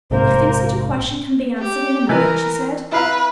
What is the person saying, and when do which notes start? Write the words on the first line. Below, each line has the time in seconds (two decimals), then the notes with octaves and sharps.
"You think such a question can be answered in a minute," she said.
0.11 A#1 G#2 C3 A#3 A#4 C5
1.59 G4
2.09 E3 A#4 B4
2.92 E4 B4 F5 A#5